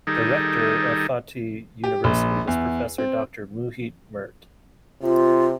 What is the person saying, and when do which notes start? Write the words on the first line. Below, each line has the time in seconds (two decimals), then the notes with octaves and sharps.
The rector of Fatih University was Professor Doctor Muhit Mert.
0.07 D#3 G3 D#4 G#4 A4
1.84 G4
2.04 A#1
2.48 E2
2.98 C4
5.02 C3 F4